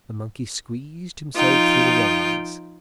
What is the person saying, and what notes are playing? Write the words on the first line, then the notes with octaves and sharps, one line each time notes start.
The monkey squeezed himself through the railings.
F3 D#4 F4 G5